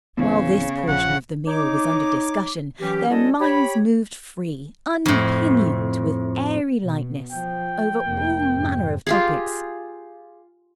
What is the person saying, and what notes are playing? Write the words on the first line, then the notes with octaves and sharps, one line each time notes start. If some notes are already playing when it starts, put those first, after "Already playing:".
While this portion of the meal was under discussion their minds moved free, unpinioned, with airy lightness, over all manner of topics.
D1 C#3 E3 B3 C4
A#1 F3 F#5
D#4 C#5 D6
E3 F#3 C#4 G4
G3 C#4 E4 F#4 A4 D#5
G4 C#5 B5
F2 A2
B2
F3 G5
F1 A#3
F2 G#2 C3
F4 G4 G#4